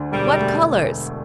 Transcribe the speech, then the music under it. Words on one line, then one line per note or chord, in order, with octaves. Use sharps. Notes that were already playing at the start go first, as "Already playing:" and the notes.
What colours!
Already playing: D2 D3
E1 G3
A3